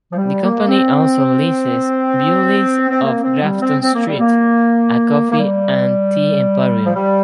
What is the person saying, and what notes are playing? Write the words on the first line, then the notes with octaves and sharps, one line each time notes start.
The company also leases Bewley's of Grafton Street, a coffee and tea emporium.
F3
G3
A#3
C4
C4
A#3
C4
G3
C4
C4
A#3
G3
A#3
A#3
G3
F3
G3